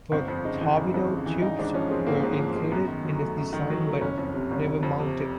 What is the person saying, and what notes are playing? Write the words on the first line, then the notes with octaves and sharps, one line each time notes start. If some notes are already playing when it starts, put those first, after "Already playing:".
Four torpedo tubes were included in the design but never mounted.
G1 C4
F2
C#3 D#4
E3
G1
F2
C#3
E3
G#1 D#4
G#2 D4
F3 C#4
G#3 C4
G#1 A#3
G#2
F3
G#3
F#2 B3
D#3
F#3
A3
F#2
D#3
F#3
A3
F#1 C#4
F2
C3
F#1
F#1
F2
C3